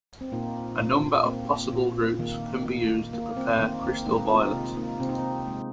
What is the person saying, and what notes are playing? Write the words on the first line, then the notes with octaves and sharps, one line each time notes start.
A number of possible routes can be used to prepare crystal violet.
C4
A#2 A#3 D#4
A#2
A#3 C4
A#2
D#3 A#3
A#3
A#3
C4
D#3 A#3 D#4
C4
G#3 A#3 D#4
D#4
C4 F4
C3
A#3 D#4
C3 C4
D#4
C4
G#3